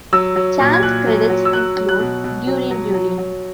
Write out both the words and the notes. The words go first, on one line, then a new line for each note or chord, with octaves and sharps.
Chan's credits include "Durian Durian".
F#3 E6
F#3
A#2
G#6
A#2 F#6
F#3
F#3
E6
F#3 F#6
F#3
F#6
B2
B2
F#3
F#3
F#3
F#3